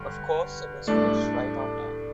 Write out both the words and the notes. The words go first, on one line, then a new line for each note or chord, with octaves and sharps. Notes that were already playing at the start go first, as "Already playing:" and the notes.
Of course, it was finished right on time.
Already playing: G2 D3
A2 G3 A3 D4